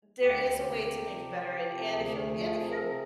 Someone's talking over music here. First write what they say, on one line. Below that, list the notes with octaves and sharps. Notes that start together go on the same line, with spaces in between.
there is a way to make it better, and and if you're and if you're
D2 G4
D2
C3
C3
F3
F3
F3
C3
D2 G#4
A3
F3
C3
C3